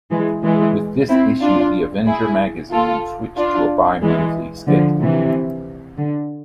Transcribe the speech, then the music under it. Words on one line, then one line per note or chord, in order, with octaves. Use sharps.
With this issue, The Avenger magazine switched to a bi-monthly schedule.
E3 G#3
E3 G#3
C4 E4
D4 F4
E4 G#4
F4 A4
D4 F4
E3 G#3
D3 F3
C3 E3
D3